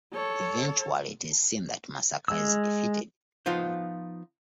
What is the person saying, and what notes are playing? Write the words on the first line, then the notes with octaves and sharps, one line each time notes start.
Eventually, it is seen that Masaka is defeated.
A4 C#5
G#3 E6
F3 B3 D#4 F4 C5